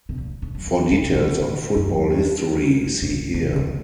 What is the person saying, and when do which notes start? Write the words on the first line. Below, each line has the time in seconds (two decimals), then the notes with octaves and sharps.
For details on football history, see here.
0.09 C3
0.18 A#2
0.42 A2
0.55 F#2
0.66 G2
0.91 A2
1.04 C3
1.15 A#2
1.40 A2
1.76 F#2
2.85 G2
3.02 A2
3.09 A#2
3.34 C3
3.58 D3